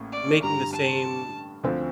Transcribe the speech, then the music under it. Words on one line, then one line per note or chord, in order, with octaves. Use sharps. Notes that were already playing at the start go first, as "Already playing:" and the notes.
making the same
Already playing: A1 A2 A#3
D5
G2 D3 G3 A#5
A5
D2 D3 F3 C4